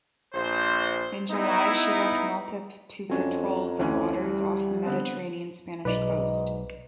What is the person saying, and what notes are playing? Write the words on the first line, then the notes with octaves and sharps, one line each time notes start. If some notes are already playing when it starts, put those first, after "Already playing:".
In July, she left Malta to patrol the waters off the Mediterranean Spanish coast.
A#1 C5
B3 D#4 E4
F2 F#3 C#4 D4
D2 E3 C#4
G3
D3 B3 C4
B1 G#2 B4 D5 D#5